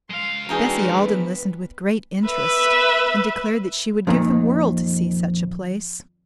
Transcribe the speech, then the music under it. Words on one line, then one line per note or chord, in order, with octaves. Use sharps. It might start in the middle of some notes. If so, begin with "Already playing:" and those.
Bessie Alden listened with great interest and declared that she would give the world to see such a place.
G#3 F5 C6
E3 D4 D#4 F#4 G#4 G5 A#5
B3 B4
B4 E5
F2 A#2 D#3